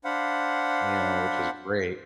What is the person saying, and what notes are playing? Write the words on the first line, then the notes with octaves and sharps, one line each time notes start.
you know, which was great.
D4 C5 F5 F#5 B5